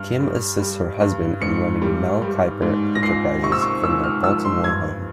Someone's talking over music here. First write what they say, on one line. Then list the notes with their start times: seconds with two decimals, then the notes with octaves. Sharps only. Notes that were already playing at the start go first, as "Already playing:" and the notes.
Kim assists her husband in running Mel Kiper Enterprises from their Baltimore home.
Already playing: G2 F6
0.20 G3
0.60 G3
1.00 G2
1.41 G#2 C#7
1.82 G3
2.22 G3
2.62 G#2
2.95 A#6
3.03 C#2 C7
3.43 C3 C#6
3.52 E6
3.62 C#6
3.84 C#2 E6
4.04 F6
4.24 F3 E6
4.45 C6
4.64 G2 G#6